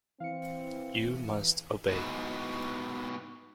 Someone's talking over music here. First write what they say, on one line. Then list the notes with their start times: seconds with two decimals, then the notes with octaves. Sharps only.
You must obey.
0.20 E3 C4 F5 C#7
1.88 G#2 B2